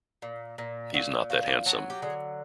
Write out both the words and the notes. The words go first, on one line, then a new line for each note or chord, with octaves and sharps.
He's not that handsome.
A#2
A#2
A#2 F#4
F3 F#4
G4
F#3 A4
G4
D3 G#4